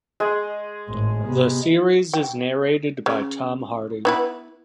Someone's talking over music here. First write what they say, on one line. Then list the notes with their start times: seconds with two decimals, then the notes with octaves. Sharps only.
The series is narrated by Tom Hardy.
0.20 G#3 G#4 D#5
0.88 G#1 A2
1.25 C3 B3
2.13 G5
3.06 C#3
4.05 B3 E4 B4